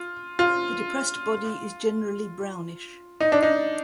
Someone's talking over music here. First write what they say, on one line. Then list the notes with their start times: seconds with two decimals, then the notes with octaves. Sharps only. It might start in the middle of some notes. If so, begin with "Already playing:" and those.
The depressed body is generally brownish.
Already playing: F4
0.39 F4
3.20 D#4
3.32 D4
3.43 D#4